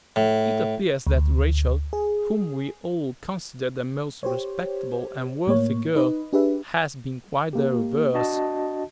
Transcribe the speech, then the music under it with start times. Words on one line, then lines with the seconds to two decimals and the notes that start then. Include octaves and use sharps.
It appears that Rachel, whom we all considered a most respectable and worthy girl, has been quite the reverse.
0.16 A2
1.07 D2
1.93 G#4
4.23 G4 C5 C#5
5.47 A2 A#3 C#5
5.96 D#4 B4 D#5
6.33 D4 G4 G#4 B4 E5
7.53 A#3 G4
8.14 D4 F#4 D#5 A5